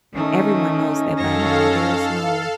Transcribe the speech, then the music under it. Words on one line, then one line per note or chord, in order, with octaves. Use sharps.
everyone knows that by now, there is no
D#3 A3 C#4 D#4
F#2 A4 C#5 F5 A#6